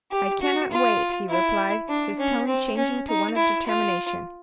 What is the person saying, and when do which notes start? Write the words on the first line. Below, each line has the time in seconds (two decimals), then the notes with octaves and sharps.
"I cannot wait," he replied, his tone changing to one of determination.
0.11 G4
0.41 F#4
0.71 F4
1.29 E4
1.88 D4
2.19 C#4
2.47 C4
2.77 C#4
3.08 D#4
3.36 E4
3.67 F4